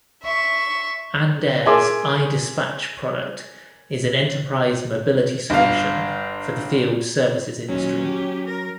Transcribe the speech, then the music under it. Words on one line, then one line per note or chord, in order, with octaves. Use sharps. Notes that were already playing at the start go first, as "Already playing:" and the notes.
Andare's iDispatch product is an enterprise mobility solution for the field services industry.
E5 C#6
G#4 A#4 E5 G#5 C6 D6
G1 F5
D#2 A#2 F#3 C#4
G4
A#4